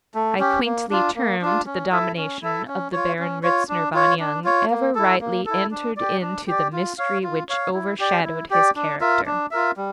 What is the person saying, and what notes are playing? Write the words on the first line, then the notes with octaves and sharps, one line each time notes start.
I quaintly termed the domination of the Baron Ritzner von Jung, ever rightly entered into the mystery which overshadowed his character.
A3
C#4 G4
A#3
D4 F4
A#3
D4 F4
C#4
E4 A4 E5
C#4
E4 A4 E5
C#4
F4 C#5
C#4
F4 C#5
D4
F4 C#5
D4
F4 C#5
A#3
E4 A4
A#3
E4 A4
D4
G4 D5
D4
G4 D5
F4
C#5 F5
F4
C#5 F5
E4
G4 D5
E4
G4 D5
D4
F4 A#4 E5
D4
F4 A#4 E5
G3